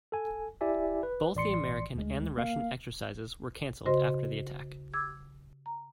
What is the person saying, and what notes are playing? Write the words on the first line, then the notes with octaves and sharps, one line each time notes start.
Both the American and the Russian exercises were cancelled after the attack.
A4 G#5
E4 G4 D5 E5 G#5
B4
A1 D5 C6 C#7
D2 G#3
A#3 F5
C#3 F#4 C5 D#5 C6 A#6
D6 E6 G#6
A#5